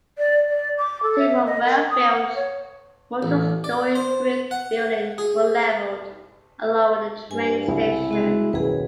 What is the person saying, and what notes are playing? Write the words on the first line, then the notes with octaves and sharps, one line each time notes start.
Several well-built, multi-story brick buildings were leveled, along with a train station.
D5
D5
D6
A4
E5
D#5
A#4
D#6
F#5
C#5
A1
D5
C5
F#5
G#4
G2 G#5
C2 C#3 E4
G#3 B3 F#4
D#1 B1 F#2 G#4 B4